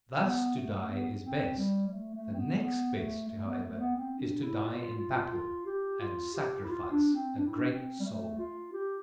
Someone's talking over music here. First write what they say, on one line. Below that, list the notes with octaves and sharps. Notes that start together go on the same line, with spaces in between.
Thus to die is best; the next best, however, is to die in battle, and sacrifice a great soul.
B3
A3
A3
B3
C4
G3
G3
A3
A3
C4
B3
B3
A3
A3
B3
A3
B3
C4
D4
E4
F4
F4
F4
F4
F4
G4
F4
G4
E4
F4
D4
C4
D4
E4
D4
C4
G3
A3
F4
G4